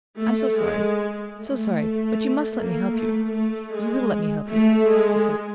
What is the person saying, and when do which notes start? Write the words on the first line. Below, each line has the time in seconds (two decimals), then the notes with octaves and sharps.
"I'm so sorry--so sorry; but you must let me help you...You will let me help you?" he said.
0.20 A3
0.59 G#3
1.37 A3
2.55 A#3
2.94 A3
3.32 A3
3.72 G#3
4.50 A3
4.90 G#3